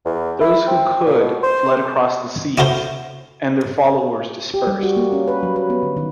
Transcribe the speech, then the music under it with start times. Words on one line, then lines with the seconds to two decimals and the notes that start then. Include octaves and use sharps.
Those who could fled across the seas, and their followers dispersed.
0.06 E2
0.41 E4
0.68 C4
1.06 A#2
1.20 B2
1.43 C5
2.58 E4 F#4 A4 A#4 C5
4.54 G4
4.67 G3
4.83 F#4
4.97 A#3
5.13 C#4
5.28 B4
5.43 F#3
5.56 B4
5.70 B3
5.83 D3
5.97 D#3